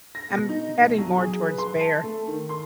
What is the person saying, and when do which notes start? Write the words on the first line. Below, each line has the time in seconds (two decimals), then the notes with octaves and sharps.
I'm heading more towards bear.
0.15 A#6
0.30 B2
0.49 D#4
0.81 B1
0.98 F#3
1.18 G#4
1.46 B4
1.58 C6
1.81 A5
2.03 A3
2.28 D#3
2.49 C6